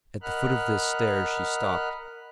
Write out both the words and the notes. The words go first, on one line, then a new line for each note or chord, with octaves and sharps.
At the foot of this stair she stopped.
A#4 D#5 F#5 B5 F6 F#6